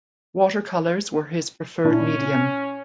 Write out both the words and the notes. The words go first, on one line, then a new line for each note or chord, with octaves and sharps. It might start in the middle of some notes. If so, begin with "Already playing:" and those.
Watercolors were his preferred medium.
A#2 C#4 D4 E4